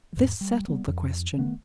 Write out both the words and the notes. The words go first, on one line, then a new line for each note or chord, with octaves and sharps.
This settled the question.
E2 G#2
G3
G3 B3
F2
D#3 A3 B3